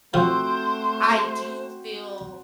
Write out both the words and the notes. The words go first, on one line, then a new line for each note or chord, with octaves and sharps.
I do feel
F3 A3 C4 F#4 C5 G5